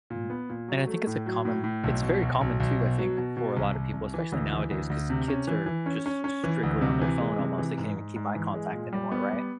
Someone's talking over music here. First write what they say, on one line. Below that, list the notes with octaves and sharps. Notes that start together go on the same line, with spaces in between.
Mhm, and I think it's a common it's very common too, I think, for a lot of people, especially nowadays 'cause kids are just strictly on their phone almost. They can't even keep eye contact anymore, right?
A#2
B3
A#2
F#3
A3
A2
F#3
A2
A2
B1
B2
B1
B1
B1
B2
F#3
B2
B2
C2
C2
C2
E3
D2
E3
D2
D2
C3
C#4
E3
E3
C#4
C#4
C#4
E3
D2
C3
E3
G#3
C3
E3
G#2
G#2
G#2
E3
G#3
A#2
G3
B3
G3